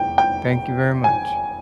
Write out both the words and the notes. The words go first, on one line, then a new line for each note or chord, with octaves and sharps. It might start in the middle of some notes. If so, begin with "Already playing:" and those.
Thank you very much.
Already playing: F1 E2 G5
G5
G#5